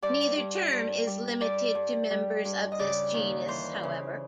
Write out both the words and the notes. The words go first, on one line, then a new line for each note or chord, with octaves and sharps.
Neither term is limited to members of this genus, however.
G2 D5
G2
G2
G3
G2 D5
G2
G3
G2
D#5
C#3 D5
D#2
E3 C5
C#3